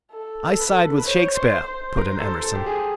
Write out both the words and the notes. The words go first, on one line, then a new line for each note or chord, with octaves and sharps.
"I side with Shakespeare," put in Emerson.
A4
B4
B4
C5 C#5
C5
C5
A#4
A4
A4
G4
G#4